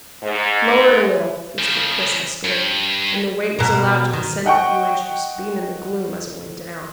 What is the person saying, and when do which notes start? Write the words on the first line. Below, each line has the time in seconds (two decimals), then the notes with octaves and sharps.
"Lower it a little," whispered Chris huskily, and the weight was allowed to descend a few inches, being in the gloom as it went down.
0.23 G#2
1.59 C#3 F3
2.45 G2
3.59 B2 A#4
4.13 D#3
4.45 D#5 F#5 G5 C#6